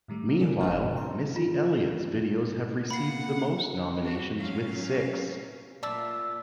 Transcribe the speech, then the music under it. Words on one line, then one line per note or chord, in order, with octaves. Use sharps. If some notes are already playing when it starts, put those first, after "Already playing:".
Meanwhile, Missy Elliott's videos have received the most nominations with six.
A2 D#3 G3 A3
A4 A#4 D5 G#5
G1 G#2 D3 D4 B4 F6
F#2 B2
A#5 C6
F4
A#3 F#5 B5 C7
G3 F#4
F#3 C#4 F5
A#2 F4 D5 E5 A5 E6